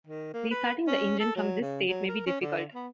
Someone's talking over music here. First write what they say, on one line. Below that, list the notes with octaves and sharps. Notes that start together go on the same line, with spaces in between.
Restarting the engine from this state may be difficult.
D#3
A#3
B4
C#4
A4
F#3
C#3
F#3
A#4
C#4
D3
B3